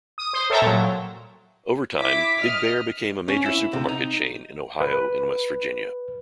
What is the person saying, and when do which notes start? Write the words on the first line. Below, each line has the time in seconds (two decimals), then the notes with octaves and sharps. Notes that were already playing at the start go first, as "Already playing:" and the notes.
Over time, Big Bear became a major supermarket chain in Ohio and West Virginia.
0.18 D#6
0.33 C5
0.50 A4 C#5 E5 G5 A5 A#5
0.62 A#2 F#3
1.97 E4 D6 B6
2.42 D#5 F6
3.28 C#4
3.46 E4
3.73 C3
3.88 D#4
4.81 B4